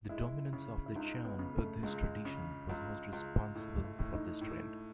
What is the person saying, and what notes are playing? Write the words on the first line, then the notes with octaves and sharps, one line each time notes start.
The dominance of the Ch'an Buddhist tradition was most responsible for this trend.
G#3 E4
C#3
E4
C#2 D#4
B3
C#3
A3
C#2 G#3
C#3
C#2
C#2
A2
E4
A2
D#4
A2